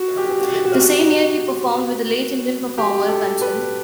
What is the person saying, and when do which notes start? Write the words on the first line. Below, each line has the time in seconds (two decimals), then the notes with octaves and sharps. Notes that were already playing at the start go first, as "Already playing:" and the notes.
The same year, he performed with late Indian performer Kanchan.
Already playing: F#4
0.17 G4
0.41 F#4
0.65 F#4
2.78 G4
3.09 A4
3.42 B4